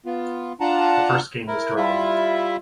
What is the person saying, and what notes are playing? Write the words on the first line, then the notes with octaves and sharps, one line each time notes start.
The first game was drawn.
B3 F4
D4 F4 F#5 A5 A#5
E4 A#4
G3 E4 F4 E5